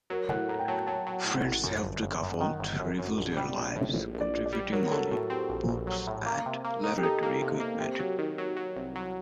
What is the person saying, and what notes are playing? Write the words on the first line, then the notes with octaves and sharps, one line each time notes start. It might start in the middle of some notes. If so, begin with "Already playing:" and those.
Friends helped the couple rebuild their lives, contributing money, books, and laboratory equipment.
F#3 A#4
A2 F#5
A2 A#5
G5
F#3 A5
F#3 A5
F#3
A2
A1
F#2
G1
G1
F#2
D#3 F#5
G1
F#2
F#2
A#1
G3
A#1
A2
A#1
A#1
D5
A#1
D5
G3
F#3 A#4
F#3 A4
A2 F#4
C4 G4
A#1
A#1
F#3
A2
A#3
C3
A#3
D#4
G4
D#4 A4
A#3
C3
A#3
C3 G4
F#3
D#3
F#3
F#3
C2
F#3